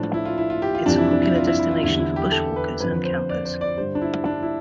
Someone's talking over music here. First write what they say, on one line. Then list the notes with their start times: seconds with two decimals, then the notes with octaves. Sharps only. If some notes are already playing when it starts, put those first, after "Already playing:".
It is a popular destination for bushwalkers and campers.
Already playing: A2 F3 D4
0.14 E4
0.25 F4
0.38 E4
0.50 F4
0.62 G4
0.75 F4
0.86 F2 C3 E3 G3 D4
0.98 E4
1.11 D4
1.23 E4
1.35 F4
1.47 E4
1.59 E4
1.71 F4
1.83 E2 D3 G3 E4
2.00 E4
2.16 G4
2.32 A4
2.56 B4
2.80 F2 D3 F3 B4
3.05 C5
3.29 D5
3.45 C5
3.61 D5
3.77 G2 D3 G3 C5
3.95 D4
4.02 E4
4.25 D4
4.42 E4